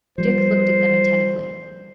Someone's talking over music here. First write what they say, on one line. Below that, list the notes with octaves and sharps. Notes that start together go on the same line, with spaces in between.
Dick looked at them attentively.
F3 G3 C5